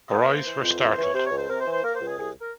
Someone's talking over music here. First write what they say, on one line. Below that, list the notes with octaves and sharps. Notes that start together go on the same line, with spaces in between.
Her eyes were startled.
A#3 G#4
E3 A#4
C5
E3
F2
C#2 C5
C5
E3
C#5
C3 C5
C#5
C#2
C5
C3 A#4
C5
E3
C5
A#3 A#4
C5
C#2
G#4
C2 G#4
A#4